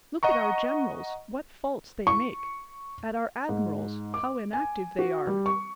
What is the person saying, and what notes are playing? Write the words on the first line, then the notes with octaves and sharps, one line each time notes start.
Look at our generals, what faults they make; at our admirals, how inactive they are.
D#5 F#5 A#5 C#6
C#6
G#2
D6
G#5
F#4
G3
C#6